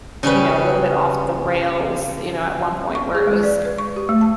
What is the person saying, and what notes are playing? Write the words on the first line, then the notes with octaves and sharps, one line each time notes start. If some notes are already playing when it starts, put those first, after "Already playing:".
you know, a little bit off the rails, you know, at one point, where it was
C#3 G3 C#4 B4
C#6
G#4
G#3
D5
B4
C#6
G4
A3
A5